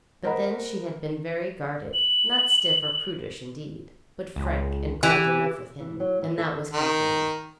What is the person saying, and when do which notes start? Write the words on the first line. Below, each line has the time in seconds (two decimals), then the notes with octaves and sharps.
But then she had been very guarded; not stiff or prudish, indeed, but frank and cold enough with him, and that was comforting.
0.24 A#4 C5 D#5 F#5 A#5 B5
1.94 F#7
4.36 C#2
5.03 E3 G4
5.80 E3
6.00 F#3
6.22 E3
6.38 A4
6.73 D#3